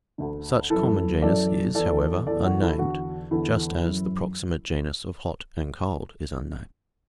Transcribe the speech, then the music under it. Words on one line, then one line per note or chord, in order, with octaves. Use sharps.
Such common genus is, however, unnamed, just as the proximate genus of hot and cold is unnamed.
D2 D3
F#2 E3 E4 A4
F#2 E3 A4 D5
E2 E3 A4 D5
E2 E3 A4 D5
F#4
E4 A4
E2 D3 F#4
E2 D3 E4 A4
F#2 E3